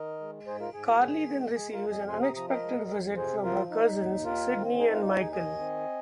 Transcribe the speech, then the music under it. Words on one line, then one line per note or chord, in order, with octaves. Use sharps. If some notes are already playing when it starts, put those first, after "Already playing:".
Carly then receives an unexpected visit from her cousins Sydney and Michael.
Already playing: D#3 A#4 D#5
G#3
G#2 G#4 C5
F4 A#4
G#2 G#4
F4
D#3 G#4
G#3
G#3 G#4
F4 A#4
F2
D#5 G#5
C3 G#5 C6
A#5 D#6
F3 A#5 D#6
A#4 D#5
G#3
F2
C3 G#4 C5
F3 F4 A#4
D#4
D#2
D#3 F4 A#4
C4
D#4 G#4
F4 A#4
D#2 F4
G#4
D#3 D#5 G#5
C4